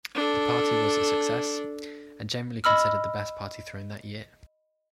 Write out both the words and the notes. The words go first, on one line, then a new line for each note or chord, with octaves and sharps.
The party was a success and generally considered the best party thrown that year.
D4 A4
D#5 B5 E6 F6